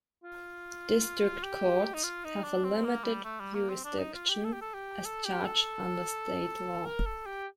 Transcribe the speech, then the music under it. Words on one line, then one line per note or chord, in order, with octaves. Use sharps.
District Courts have a limited jurisdiction as charged under state law.
F4
G4
D#4
F4
D#4
D4
C4
A#3
G3
A3
G3
A#3
C4
D4
D#4
F4
G4
A4
G4
A4
G4
A4
G4
A4
A#4
A4
G4